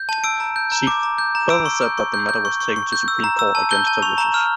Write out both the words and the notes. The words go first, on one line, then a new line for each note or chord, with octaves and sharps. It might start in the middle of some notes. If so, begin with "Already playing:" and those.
She further said that the matter was taken to Supreme Court against her wishes.
Already playing: G6
A5
E6 D7
A#5
G6
A#5
D6
A#5
G6
A#5
E6 D7
C#6
G6
C#6
G6
G6
C#6
C#6
C#6
G6
E6
A#5
E6
A5
G6 G7
A5
C#6 F7
A#5
F6